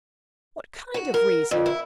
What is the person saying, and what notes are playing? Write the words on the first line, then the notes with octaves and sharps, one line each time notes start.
'What kind of reason?'
F#4
A#4
F2
E4